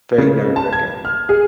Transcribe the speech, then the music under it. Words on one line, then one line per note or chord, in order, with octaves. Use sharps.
very nerve-wracking.
C#3
A5
G#6
F6
G#4